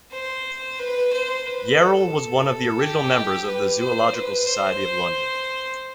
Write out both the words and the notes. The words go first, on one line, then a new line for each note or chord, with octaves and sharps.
Yarrell was one of the original members of the Zoological Society of London.
C5
B4
C5
B4
A4
G4
B4
C5
B4
C5